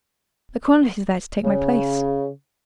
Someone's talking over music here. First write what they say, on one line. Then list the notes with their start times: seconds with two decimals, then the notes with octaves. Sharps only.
"The cornet is there to take my place."
1.44 C#3